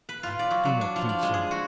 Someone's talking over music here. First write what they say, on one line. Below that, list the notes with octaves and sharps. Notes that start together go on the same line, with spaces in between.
"I do not think so."
B4
F4
D5
F#3
F#3
D4
F3
D5
G#3
G#4
F#4